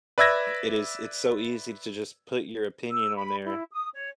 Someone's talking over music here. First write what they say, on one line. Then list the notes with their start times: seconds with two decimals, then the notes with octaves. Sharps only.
it is it's so easy to just put your opinion on there,
0.18 B4 D5 E5 E6 G#6 A#6
2.90 E6
3.16 B5
3.44 E4
3.72 D#6
3.93 C#5